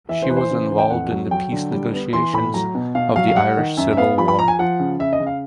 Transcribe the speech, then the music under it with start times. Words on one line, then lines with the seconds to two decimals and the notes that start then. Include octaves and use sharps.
She was involved in the peace negotiations of the Irish Civil War.
0.09 E3 E5
0.22 C5
0.29 E3 B4
0.37 C5
0.50 C#3
0.70 E3
0.78 G5
0.90 F2 F#5
1.11 F#3
1.31 F#3 G5
1.52 D3
1.72 G3
1.93 B3
2.13 E3 C6
2.33 A2 B5
2.54 F#3 A#5
2.75 B2
2.95 B2 F5
3.16 F#3 F5
3.28 F5
3.35 G3 F#5
3.57 D#3
3.77 F#2 E5
3.93 E5
3.97 B3 F5
4.18 F3 B5
4.28 B5
4.39 F3 A#5
4.48 G#5
4.59 F3 F#5
4.80 C#3
4.99 C#3 E5
5.13 D#5
5.20 C#3
5.27 F5